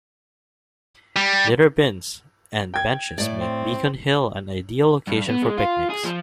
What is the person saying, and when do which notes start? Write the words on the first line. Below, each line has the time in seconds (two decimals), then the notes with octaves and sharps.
Litter bins and benches make Beacon Hill an ideal location for picnics.
1.16 G3
2.74 G5 G#6
3.18 A2 D5
3.41 C4
5.07 G2
5.28 B3
5.43 G#3
5.58 F4
5.90 G#4
6.04 F3